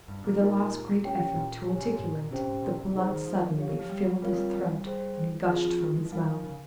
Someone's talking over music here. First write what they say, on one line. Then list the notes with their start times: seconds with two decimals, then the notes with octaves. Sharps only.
With a last great effort to articulate, the blood suddenly filled his throat and gushed from his mouth!
0.08 G2
0.24 A#2
0.40 A#2 A#3 D#4 G4 A#4
0.57 A#2
1.04 A#3 C#4 G4 C#5 G5
1.36 A#2
1.67 G4 C#5 G#5
1.78 C#3
1.84 C3
1.92 A#2
1.99 G#2
2.15 A#2
2.31 C3 C#4 G4 C5 G5
2.42 A#2
2.47 G#2
2.62 A#2
2.78 C3
2.95 C3 D#4 G#4 C5
3.11 D#3
3.27 F3
3.58 G4 C#5 F5
3.79 F3
3.90 G3
4.05 G3
4.22 G3 C4 F4 A#4 C#5 F5
4.33 G#3
4.38 G3
4.54 G3
4.85 G#4 C5 G5
5.49 F3 C4 F4 G#4
5.65 F3
5.80 D#3
5.96 G#3
6.05 F3
6.12 G3 D#4 A#4 F5 G#5
6.28 F3
6.44 C#3